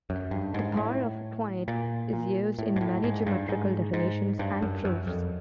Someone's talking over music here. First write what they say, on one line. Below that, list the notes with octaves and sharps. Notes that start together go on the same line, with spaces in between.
The power of a point is used in many geometrical definitions and proofs.
F#2
G2
G#2
A2
A#2
A#2
A2
G#2
A2
G#2
G2
G#2
G#2
G2
F#2
F#2
F2